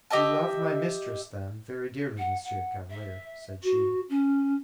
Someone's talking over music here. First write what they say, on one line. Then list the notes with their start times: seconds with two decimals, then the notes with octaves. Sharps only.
"You love my mistress, then, very dearly, Monsieur Chevalier?" said she.
0.10 G4 D#5 E5 A5
2.18 F#5
2.45 F#5
2.90 E5
3.63 F#4
4.09 C#4